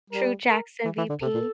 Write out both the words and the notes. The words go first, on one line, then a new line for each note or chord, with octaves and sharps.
True Jackson VP.
G3 A#4
A#4
E3
E3
D3
C3 A4
A#2